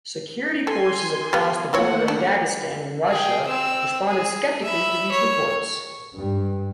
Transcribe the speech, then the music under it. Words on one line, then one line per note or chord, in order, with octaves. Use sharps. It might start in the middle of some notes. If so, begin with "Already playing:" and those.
Security forces across the border in Dagestan in Russia, responded sceptically to these reports.
A4 G#5 C6
G3 B3
E3 A3 A#3 C4 C#5 F#5
D4
G#4 G5
C4 E6
G#4
E5 B5
C#5
G2